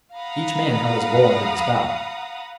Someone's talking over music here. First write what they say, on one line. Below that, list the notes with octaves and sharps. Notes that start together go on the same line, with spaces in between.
Each man held his bowl under the spout.
F5 F#5 A#5 B5 D#6